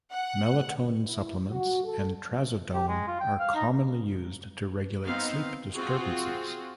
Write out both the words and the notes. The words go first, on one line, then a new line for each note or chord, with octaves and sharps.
Melatonin supplements and trazodone are commonly used to regulate sleep disturbances.
F#5
E4
F#4
A4
G4
G#3
F4
G5
F5
D#4
B3 C4 D#4 F5
C4 F4 F#4 G#4